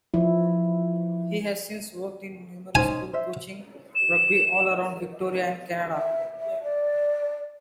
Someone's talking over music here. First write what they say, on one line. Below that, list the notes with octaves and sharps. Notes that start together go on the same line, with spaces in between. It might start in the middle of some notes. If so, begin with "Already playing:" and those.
He has since worked in numerous school coaching rugby all around Victoria and Canada.
F3 E4
C#4 D#4 C5 G#5
C5 E5
E7
E5
E5
D5